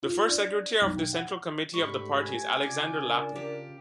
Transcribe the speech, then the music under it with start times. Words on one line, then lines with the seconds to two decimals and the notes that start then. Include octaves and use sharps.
The First Secretary of the Central Committee of the party is Alexander Lapin.
0.03 F4
0.28 D4
0.81 B1
0.97 G5
1.13 F#5
1.74 G#2 A3 C4 D4 G4 B5 C#6
2.19 G#5
2.63 C#3 F4 D5
2.98 D4 A#4
3.36 G4